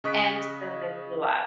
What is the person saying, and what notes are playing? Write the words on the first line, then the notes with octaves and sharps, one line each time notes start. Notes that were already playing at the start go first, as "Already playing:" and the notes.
And so this blew up.
C#3 D#5 C#6 F#6 B6 D7